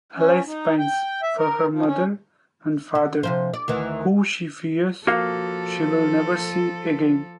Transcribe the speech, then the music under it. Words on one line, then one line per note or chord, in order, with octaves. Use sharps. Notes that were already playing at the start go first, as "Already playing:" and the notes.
Alice pines for her Mother and Father, who she fears she'll never see again.
C#4
D#4
G5
E5
A#4
F3
C#4
D3
C3 F3 C5
D5
D2 D#3 E3
F3 A#3 F#4 A4 F5